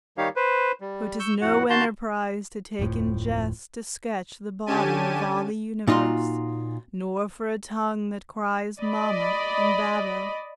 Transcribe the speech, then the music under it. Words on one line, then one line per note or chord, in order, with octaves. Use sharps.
For 'tis no enterprise to take in jest, To sketch the bottom of all the universe, Nor for a tongue that cries Mamma and Babbo.
D#3 G3 D#4 G4 C#5 F5
B4 C5
G3
C#6 E6 G6
F2 A2 F#4 F#5
D#3 F#4 A5 C6 G6
D1 F2 A2 F3
D3 C#4 G4 G#5 A5 D#7
A#2 D#4 F4 F#4 C6
D5 D#5 B5